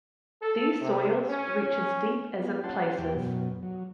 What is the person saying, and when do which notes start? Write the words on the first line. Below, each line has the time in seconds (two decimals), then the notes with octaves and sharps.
These soils reach as deep as in places.
0.41 A4
0.80 C3
1.28 C#4
1.60 C#4
2.39 B3 F4
2.64 C#4 G4 F#5 A5 C6
2.98 E2 E3 G4 G5
3.15 F#2 B2
3.63 F#3